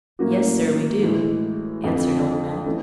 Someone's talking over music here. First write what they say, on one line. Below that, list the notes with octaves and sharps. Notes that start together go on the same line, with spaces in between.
"Yes, sir, we do," answered Old Matt.
A2 F#3 A#3 C#4 F#4
A2 E3 G#3
F2 D3 F3
E3 A3 C#4